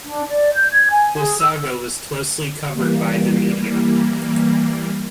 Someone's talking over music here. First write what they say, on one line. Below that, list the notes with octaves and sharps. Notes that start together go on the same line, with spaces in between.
The saga was closely covered by the media.
D4
D5
G6
G#6
G#5
G#4
E6
E3 G3 A#3